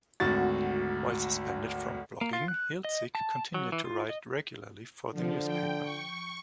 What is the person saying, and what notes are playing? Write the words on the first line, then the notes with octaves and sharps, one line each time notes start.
While suspended from blogging, Hiltzik continued to write regularly for the newspaper.
G#1 D2 F#4 A6
A#3
F4
F#6
D#5
A5
F#3
E3
F4
D#5
D3 F3
G5
C#6